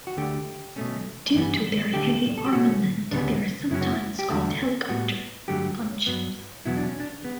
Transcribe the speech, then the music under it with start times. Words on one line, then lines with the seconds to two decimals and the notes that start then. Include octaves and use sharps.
Due to their heavy armament they are sometimes called helicopter gunships.
0.07 F#4
0.17 D2 D3 A3 G4
0.76 B2 A3 C#4
1.35 G2 E3 G3 B3
1.94 D2 D3 A3 G4
2.38 A4
2.46 G4
2.53 B2 A3 C#4 F#4
3.12 D2 C#3 G3 B3 D4
3.71 F#2 C#3 F#3 C#4 E4
3.81 F#4
3.92 E4
4.19 G4
4.29 E2 D3 A3 F#4
4.89 A2 G3 B3 F#4
5.48 G2 D3 F#3 A3 G4
6.07 G2 F#3 B3
6.65 E2 B2 F#3 B3 E4
6.77 D4
6.88 C#4
7.00 D4
7.24 B3